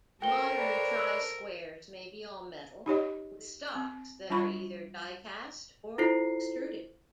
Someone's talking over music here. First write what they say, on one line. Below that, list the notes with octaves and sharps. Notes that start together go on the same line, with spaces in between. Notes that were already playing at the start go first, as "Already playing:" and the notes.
Modern try squares may be all-metal, with stocks that are either die-cast or extruded.
F#4 A4 A#4 C5 G5 G7
D4 B4 C#5
E6
D#4 G4 C#5 D#5
C4
G3 D4 F4 B5 C#6
E4 F4 A4 C5 C7